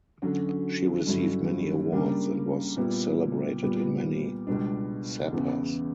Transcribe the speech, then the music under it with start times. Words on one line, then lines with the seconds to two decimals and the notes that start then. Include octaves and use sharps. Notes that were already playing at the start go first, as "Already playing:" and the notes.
She received many awards and was celebrated in many sabhas.
0.22 D3 F#3 C#4 F#4
1.07 G2 D3 F#3 C#4 E4
1.92 C#3 G3 A#3 D4
2.76 A#2 G3 B3 E4
3.62 A#2 G3 B3
4.47 C#2 B2 G3 B3 D4
5.33 E2 C#3 E3 B3